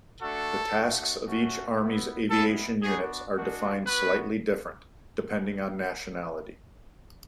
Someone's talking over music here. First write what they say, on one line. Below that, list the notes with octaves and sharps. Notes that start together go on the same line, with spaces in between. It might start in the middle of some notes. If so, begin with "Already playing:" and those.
The tasks of each army's aviation units are defined slightly different, depending on nationality.
A3 D4 F#4 A4
A3 D4 F#4
A3 C#4 F#4
B3 E4
G#3 B3 E4 A4
B3 D4 F#4 G#4
G#3 D4 F#4
B3 F#4 B4